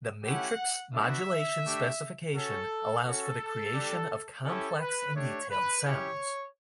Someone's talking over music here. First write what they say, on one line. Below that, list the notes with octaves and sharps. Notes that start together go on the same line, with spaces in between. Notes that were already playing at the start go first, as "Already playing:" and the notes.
The Matrix Modulation specification allows for the creation of complex and detailed sounds.
A3 C#4 E4 G4 F#5
B3 D4 F#4 E5
A3 D4 G4
C#4 F#4 A4
C#4 F#4 A4
G3 D4 G4
C#4 E4 G4 A4
B4
A3 D4 G4 C#5
B4
C#4 E4 G4 C#5